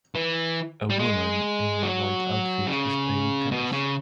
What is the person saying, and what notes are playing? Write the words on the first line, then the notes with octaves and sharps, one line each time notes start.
A woman in a white outfit is playing tennis.
E3
G3
G#3
F#3
C#3
B2
C#3